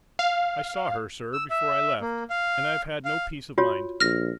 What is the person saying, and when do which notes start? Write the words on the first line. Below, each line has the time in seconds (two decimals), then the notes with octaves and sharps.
I saw her, sir, before I left, and I've had no peace of mind.
0.19 F5
1.33 E6
1.50 E5
2.01 A#3
2.30 F5
3.05 F5
3.58 F4 F#4 C#5
4.00 A#1 F6 A#6